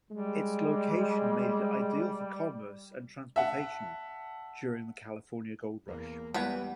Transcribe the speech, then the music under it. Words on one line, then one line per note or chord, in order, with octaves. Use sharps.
Its location made it ideal for commerce and transportation during the California Gold Rush.
G3 G#3
E5 F#5 A5
E2 A#3
E3 G3 G#3 B3 B4 D5 F#5 B5